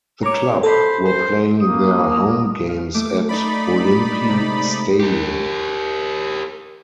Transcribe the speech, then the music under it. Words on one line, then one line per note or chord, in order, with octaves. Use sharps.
The club were playing their home games at Olimpi Stadium.
C#5 A#5 D6
A4 C5 B5
C5
A#3 D#6
F5
A3 D6
D#4 D5 B5
C3 G#3 A3
G4 A#4